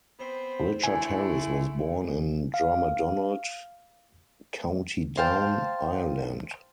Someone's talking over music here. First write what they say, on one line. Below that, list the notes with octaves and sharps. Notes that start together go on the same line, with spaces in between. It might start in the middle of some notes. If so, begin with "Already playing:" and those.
Richard Harris was born in Drummadonald, County Down, Ireland.
B3 C4 C5
D3 A3 E4 G#5
F5
C5 F5 G5 A5